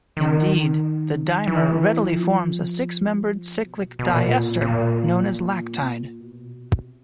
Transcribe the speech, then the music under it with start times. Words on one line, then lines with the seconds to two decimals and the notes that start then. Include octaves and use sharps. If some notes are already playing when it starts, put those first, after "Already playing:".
Indeed, the dimer readily forms a six-membered cyclic diester known as lactide.
0.17 D#3
1.47 E3
2.01 F3
3.58 B2
3.83 A#2
3.99 B2
4.09 A#2
4.62 A#2
6.20 B2
6.72 C3